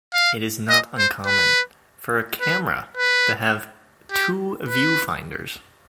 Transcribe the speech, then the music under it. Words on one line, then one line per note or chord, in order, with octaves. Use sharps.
It is not uncommon for a camera to have two viewfinders.
F5
D#5
C5
B4
B4
B4
G4
B4